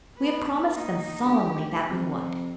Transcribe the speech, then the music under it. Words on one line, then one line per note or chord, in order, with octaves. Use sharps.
We have promised them solemnly that we would.
B3 B4
A#3 D#4
D2 G4
F2 C3